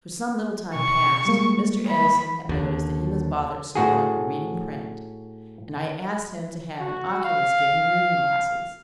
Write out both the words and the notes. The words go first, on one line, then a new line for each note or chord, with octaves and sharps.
For some little time past Mr. Edison had noticed that he was bothered somewhat in reading print, and I asked him to have an oculist give him reading-glasses.
B2 C#6
G3 G#3 A#3
B5
D#2 D3
A2 F#4 G#4
F#4
F5